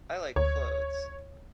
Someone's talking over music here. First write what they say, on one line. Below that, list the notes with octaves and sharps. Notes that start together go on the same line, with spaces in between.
I like clothes.
D2 C#5